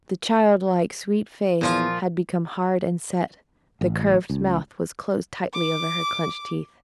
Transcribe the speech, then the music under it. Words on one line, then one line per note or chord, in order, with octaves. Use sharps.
The childlike sweet face had become hard and set, the curved mouth was closed tightly over her clenched teeth.
E2 A#2 F3 F4
A1
C#2
D6